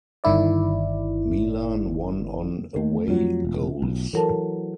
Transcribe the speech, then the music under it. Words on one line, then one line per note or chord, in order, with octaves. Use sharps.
Milan won on away goals.
G1 D#3 E4 D5
D#3 A3
F2 F#3 F4
E1
B1
E3 F#3 A4 A#4 A5